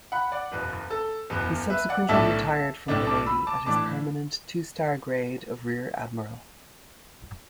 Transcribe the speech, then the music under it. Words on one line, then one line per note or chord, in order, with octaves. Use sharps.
He subsequently retired from the Navy at his permanent two-star grade of rear admiral.
F#5 B5
D5 F#5
F#1 E2 B2 B4
A4
F#1 E2 B2 B4
B4 E5
D5 F#5
B1 A2 A3 D4 E5 A5
B1 A2 A3 D4
A5 D6
B5 E6
A5 D6
A2 E3 D4 A5 D6